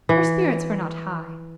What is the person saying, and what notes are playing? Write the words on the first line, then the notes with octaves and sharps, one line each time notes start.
Her spirits were not high.
E3